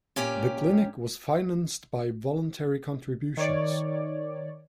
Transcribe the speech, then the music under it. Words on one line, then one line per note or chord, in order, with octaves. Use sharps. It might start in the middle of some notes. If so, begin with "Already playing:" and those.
The clinic was financed by voluntary contributions.
A#2 C#4 G4 D5
D#3 C#5 D5